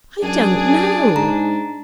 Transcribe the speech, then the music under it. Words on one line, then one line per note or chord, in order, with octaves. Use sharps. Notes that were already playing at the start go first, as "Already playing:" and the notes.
"I don't know."
F#2 D4 G#4
G#2 A#5